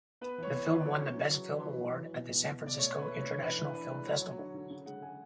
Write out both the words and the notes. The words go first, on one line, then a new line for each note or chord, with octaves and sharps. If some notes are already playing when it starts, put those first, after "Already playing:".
The film won the Best Film Award at the San Francisco International Film Festival.
B3 B4
E3 C#5
B3
E3 B4
D5
F#3 C#5
C#3
C#3
F#3
E3 B4
E3
E3
E3
B2
B2
B2
B2 D5
A3 C#5
A3 B4
A3
C#5
D4
E3 B4
E3
D4 B4
G#3
F#3 C#5
F#3
D3
D3
C#3
G#3 F#5
G#3 G#5